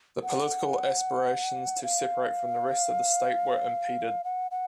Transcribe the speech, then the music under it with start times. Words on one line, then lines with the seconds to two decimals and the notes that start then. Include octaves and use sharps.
The political aspirations to separate from the rest of the state were impeded.
0.23 F#5
1.83 F5
4.24 F#5
4.51 F#5